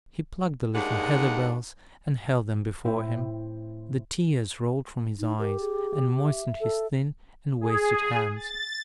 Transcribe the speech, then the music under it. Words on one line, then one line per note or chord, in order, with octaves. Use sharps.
He plucked the little heather-bells, and held them before him; the tears rolled from his eyes, and moistened his thin and wasted hands.
D#2 A2 G#3 D4 D#4 F#5
A2 C4 E4
D#4
G4 A#4
G#4
E5
A4
G#4
A6